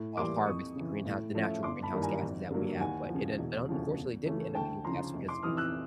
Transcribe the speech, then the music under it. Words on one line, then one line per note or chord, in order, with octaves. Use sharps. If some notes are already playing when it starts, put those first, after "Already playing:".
uh, harvest the greenhouse the natural greenhouse gases that we have, but it un un unfortunately didn't end up getting passed because the
Already playing: A2
E3 G3 A#3 C6 D6
F2 C#6 D#6
C#3 E3
A2
F3 A3 C#4 E4
G1 C6 D6
A5 B5
G2 D#3 G3 A#3
G#5 A#5
G#1
G2 D3 F#3 A#3
D#2 F#5 G#5
F3
C#3
E1
D2 C#3 F3
E2
C#3 E3 A3 C#4
D2 G5 A5
C#3 F3 A#5 C6
F1
C6 D6
F2 C3 E3 D#6 F6
E6 F#6